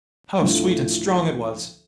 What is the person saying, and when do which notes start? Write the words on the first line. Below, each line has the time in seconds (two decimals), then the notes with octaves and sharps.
How sweet and strong it was!
0.41 D2 A2 F3